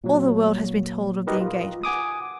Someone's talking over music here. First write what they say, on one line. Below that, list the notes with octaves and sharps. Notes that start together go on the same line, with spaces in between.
All the world has been told of the engagement.
A#2 F#3
D#4 F#4 G4 A#4 B4 D#5
F4
F#5 G#5 D6 D#6